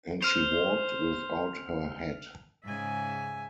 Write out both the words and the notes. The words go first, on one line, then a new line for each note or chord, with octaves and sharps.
And she walked without her hat.
C5 F6 F7
G#2 C#3 E5 G#5